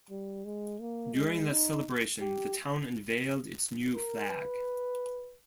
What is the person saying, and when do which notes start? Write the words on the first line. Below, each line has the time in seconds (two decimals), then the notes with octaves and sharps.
During that celebration, the town unveiled its new flag.
0.10 G3
0.45 G#3
0.81 A#3
1.14 G#3
1.50 D#4
2.20 G4
3.94 A#4
4.29 B4